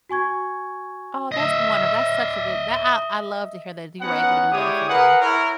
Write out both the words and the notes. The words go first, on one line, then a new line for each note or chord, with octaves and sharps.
Oh, that's wonder that's such a good that I I love to hear that you were able to do that for them.
F#4 G#5 C#6 G#6
D#5 E5
B3 C#4 D#4 F#5
G#3 E4 G4 C#5 D5 D#6
G#4 A#4 B4 F#5
E4 A#4 C#5